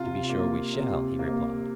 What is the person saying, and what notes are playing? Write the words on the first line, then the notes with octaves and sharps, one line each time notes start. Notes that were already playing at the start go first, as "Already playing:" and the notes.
To be sure we shall, he replied.
Already playing: C3 F4
A#3
C3
A#3